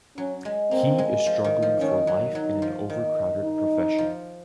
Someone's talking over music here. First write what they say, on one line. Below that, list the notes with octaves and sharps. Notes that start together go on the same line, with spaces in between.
He is struggling for life in an overcrowded profession.
F#3 C#4
G#3
A#3 C4
G#3
F3
D#3
F3
D#3 C#4
F#3
F#3 D#4
F3
D#3
D#4
F3